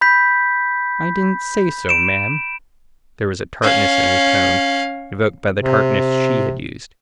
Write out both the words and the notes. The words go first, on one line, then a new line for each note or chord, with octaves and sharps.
"I didn't say so, ma'am." There was a tartness in his tone evoked by the tartness she had used.
B5 G6 B6
D7 E7
C#4 F5
C3